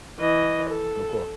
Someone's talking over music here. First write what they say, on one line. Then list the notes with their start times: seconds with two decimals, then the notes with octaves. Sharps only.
Oh, cool.
0.19 E3 D#5
0.69 A4